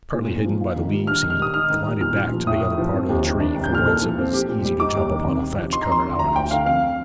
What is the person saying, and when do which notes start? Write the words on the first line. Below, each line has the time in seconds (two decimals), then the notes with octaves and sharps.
Partly hidden by the leaves he glided back to the other part of the tree, from whence it was easy to jump upon a thatch-covered out-house.
0.14 A#2
0.30 A#2
0.44 F3
0.61 F4
0.76 D#3
0.91 G3
1.07 D4 F6
1.23 D#3
1.30 F6
1.38 G3 D#6
1.54 D#4 F6
1.70 D#3
1.85 G3
2.01 A#2 F6
2.16 A#2
2.32 F3
2.47 A2 D#6
2.62 A2
2.78 F3
2.94 C4
3.09 D#2
3.25 D#3
3.40 D4
3.56 C2
3.64 G6
3.71 A#2 F6
3.87 A4
4.02 F3
4.18 C4
4.33 G4
4.49 A#2
4.65 G3
4.80 D#4 D6
4.95 D#2
5.11 D#3
5.27 C3
5.42 C3
5.58 F3
5.73 D#4 C6
5.82 A#5
5.88 F2 C6
6.04 D3
6.19 D2 A#5
6.35 D2 G5
6.51 D3 F5
6.66 F2 F5